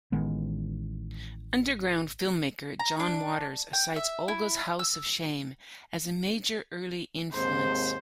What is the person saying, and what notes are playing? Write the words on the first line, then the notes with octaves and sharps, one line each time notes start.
Underground filmmaker John Waters cites "Olga's House of Shame" as a major early influence.
A1 D#3 G#3 B3
A#5
D4
G5
E5
E4
E6
D#2 G#2 C4 C5